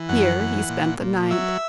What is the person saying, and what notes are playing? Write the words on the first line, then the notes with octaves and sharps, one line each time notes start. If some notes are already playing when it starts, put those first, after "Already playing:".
Here he spent the night.
Already playing: E3
F#2 F#5
E3
A#2
A#2
F#3 E5